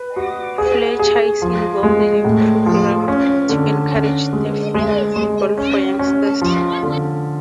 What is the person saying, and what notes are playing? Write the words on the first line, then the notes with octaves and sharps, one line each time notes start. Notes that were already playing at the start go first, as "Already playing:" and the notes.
Fletcher is involved in a programme to encourage "Deaf Friendly Football" for youngsters.
Already playing: B4
F#4
G#4
G#4
F3
G#3
A2
F3
C#4
D3
C#4
G#3
G#3
G#3
C#4
C#4
F3
D3